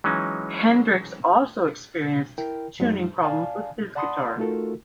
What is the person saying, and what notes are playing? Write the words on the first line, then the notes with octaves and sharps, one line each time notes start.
Hendrix also experienced tuning problems with his guitar.
E3 F#3 G#3 C#4 D#4
E4 A#4 G5
F#2 F#3 G#3 D#4
D5 F5 G#5 A5
D5 F#5 A5 B5 C6 D#6
A3 D#4 F4 F#4 A4 A#4